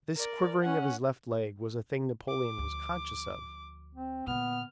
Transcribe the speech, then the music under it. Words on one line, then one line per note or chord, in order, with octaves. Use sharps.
This quivering of his left leg was a thing Napoleon was conscious of.
A#4 D5
C#4 F#5
D6
D2 F3
C4
A#2 D3 B3 F6